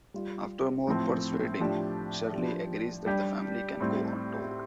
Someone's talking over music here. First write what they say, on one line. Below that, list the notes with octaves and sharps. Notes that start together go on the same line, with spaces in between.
After more persuading, Shirley agrees that the family can go on tour.
G3 F4
A2 F3 C4
A2 F3 D4 G4
F3 D4 G4
G3 D4 G4
A2 G3 C4